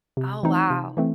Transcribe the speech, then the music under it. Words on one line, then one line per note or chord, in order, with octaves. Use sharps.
Oh, wow.
C3
E3 A3 C4 D#4
C3
E3 A3 C4